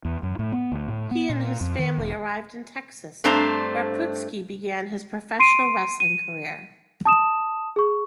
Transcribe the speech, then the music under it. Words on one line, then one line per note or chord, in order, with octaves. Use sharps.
He and his family arrived in Texas, where Putski began his professional wrestling career.
E2
F#2
A2
B3
D2
A2
B3
A#2
F2
D#3
E1
G2 A3 C4 D4 C5 A#5
C6 C7 D7 D#7
D#7
A5 D#6 E7
G#4 C#6